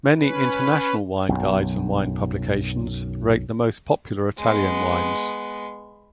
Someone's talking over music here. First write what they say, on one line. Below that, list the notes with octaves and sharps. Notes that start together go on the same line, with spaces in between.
Many international wine guides and wine publications rate the most popular Italian wines.
C#4 B4
B1 F#2
G#3 B3